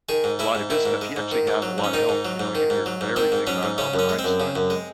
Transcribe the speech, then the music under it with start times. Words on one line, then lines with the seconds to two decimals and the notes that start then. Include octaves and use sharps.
a lot of his stuff he actually had a lotta help you know, you hear everything about Albert Einstein,
0.09 D#3 G#4
0.24 G#2
0.39 G#3 E4
0.55 G#2
0.70 D#3 E4
0.85 G#2
1.01 G#3
1.16 G#2
1.32 D#3
1.47 G#2
1.62 F#3
1.78 G#2
1.84 C#4
1.94 D#3 D#4
2.09 G#2
2.25 F#3
2.40 G#2
2.55 D#3
2.70 G#2
2.86 F#3
3.01 G#2
3.16 D#3 C4
3.32 G#2
3.47 F#3 C#4
3.63 G#2
3.78 C#3 C#4
3.94 F#2
3.99 C#4
4.09 G#3
4.19 C4
4.24 F#2
4.40 C#3
4.55 F#2
4.70 G#3